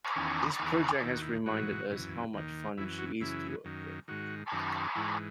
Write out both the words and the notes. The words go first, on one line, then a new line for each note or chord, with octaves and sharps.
This project has reminded us how much fun she is to work with.
E2 D#3 C#4
E2 D#3
D#2 D#3 E4
F#4
E4
G#2 E3 F#4
F#2 E3
D#2 D#3
F#2 E3 E4
F#4
F#2 C#3 E3 E4
F#2 D#3
G#2 D#3 F#4
F#2 D#3
G#2 E3 E4